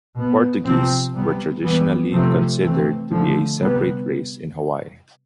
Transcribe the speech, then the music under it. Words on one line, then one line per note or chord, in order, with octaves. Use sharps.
Portuguese were traditionally considered to be a separate race in Hawaii.
B2 B3
C3 F3 C4
C3 G3 B3
E3 G3 B3
C3 F3 A3 C4
E3 A3 C4
D3 F3 A3
C3 G3 B3